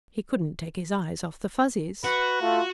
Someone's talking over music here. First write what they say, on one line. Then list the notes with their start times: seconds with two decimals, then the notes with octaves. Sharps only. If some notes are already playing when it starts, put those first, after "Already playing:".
He couldn't take his eyes off the Fuzzies.
2.04 F#4 B4
2.42 A3 F4